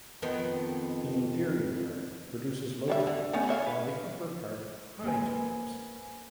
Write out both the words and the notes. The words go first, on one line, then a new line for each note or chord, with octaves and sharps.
The inferior part produces low tones while the upper part high tones.
F2 D#3 B3
D3 G3 E5
D3
A3 B3 C#4
C#5 E5 F5
B4
A#3 B4 C5 G#5